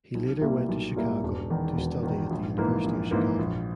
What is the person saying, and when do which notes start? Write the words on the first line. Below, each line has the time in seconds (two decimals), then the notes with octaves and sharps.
He later went to Chicago to study at the University of Chicago.
0.15 B1
0.41 A#2 G3 A#3 E4
0.69 B1
0.96 A#2 G3 A#3 E4
1.23 E1
1.50 E2 D#3
1.77 E1
2.03 E2 D#3
2.30 A#1
2.58 G#2 E3 A#3
2.84 A#1
3.11 G#2 E3 A#3
3.39 A#1